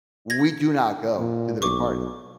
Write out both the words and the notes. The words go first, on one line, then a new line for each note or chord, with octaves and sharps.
We do not go to the big party.
G#6 A#6
A#2
B1 C#6 D6